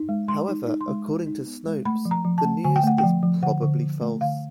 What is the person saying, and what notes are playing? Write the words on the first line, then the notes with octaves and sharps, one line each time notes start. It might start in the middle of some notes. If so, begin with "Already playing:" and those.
However, according to Snopes, the news is "probably false".
Already playing: D#4
G#3
G#3 C6
D#4
D#4
C6
G#3
G#3
D#4
B3
G#3
A3 B5
F3
A#5
F3
A5
A3
D3 G#5
G5
A3 F#5
G5
F3
F3
D3 F#5
D3
F3
A3
D3 F5